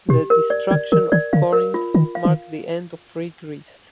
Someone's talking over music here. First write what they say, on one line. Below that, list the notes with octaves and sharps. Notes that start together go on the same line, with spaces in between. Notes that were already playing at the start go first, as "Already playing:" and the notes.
The destruction of Corinth marked the end of free Greece.
B2 G4
A#4
D5
D3 D5
D#3 A#4
D#3 D5
D3 F5
A#4
F4
D#3 F4
F5
D#3